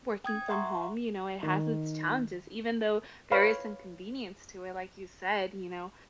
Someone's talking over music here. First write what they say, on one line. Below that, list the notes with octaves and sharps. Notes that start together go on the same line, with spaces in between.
working from home, you know? It has its challenges even though there is some convenience to it, like you said, you know,
G5 D#6 G#6
E5 F#5 A#5 C6 C#6
D#3
B4 C#5 F5 B5